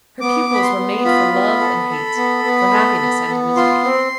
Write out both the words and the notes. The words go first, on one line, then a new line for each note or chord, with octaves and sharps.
Her pupils were made for love and hate, for happiness and misery.
B3 D6
B3 B5
C6
B3
F4 B5
B3
A4
A4
B3
B3
A4
B3
B3
F4 C6
C4